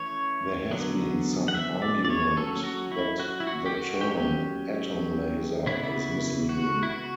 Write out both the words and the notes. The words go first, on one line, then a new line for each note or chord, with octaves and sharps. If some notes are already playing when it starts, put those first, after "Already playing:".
There has been some argument that the term "atom laser" is misleading.
Already playing: E3 A3 C#4 C#5
D3 F#3 B3
F#5
E5
D5
D5
C#5
F#3 C#4 A4
F#4
E4
F#4
E4
F#4
G4
F#4
F#3 C#4 G4
C#3 E3 B3 E4
F#4
E4
F#4